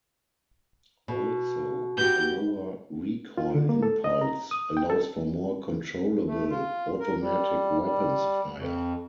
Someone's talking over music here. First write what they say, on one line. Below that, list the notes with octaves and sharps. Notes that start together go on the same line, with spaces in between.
Also, a lower recoil impulse, allows for more controllable automatic weapons fire.
B2
B3 F#4 G4 G6
F4
D3
A#3
A4
D#5
A#5
D#6
G5
A4
A3
F4
A#4
G3
G3
F2